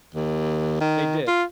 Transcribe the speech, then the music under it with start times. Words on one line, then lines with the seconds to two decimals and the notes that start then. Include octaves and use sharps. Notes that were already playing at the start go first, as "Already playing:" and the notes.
They did.
0.15 D#2
0.81 D#3
1.28 F4